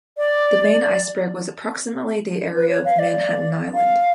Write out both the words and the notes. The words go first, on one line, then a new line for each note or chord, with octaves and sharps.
The main iceberg was approximately the area of Manhattan Island.
D5
B4
C#5
F5
D5
F5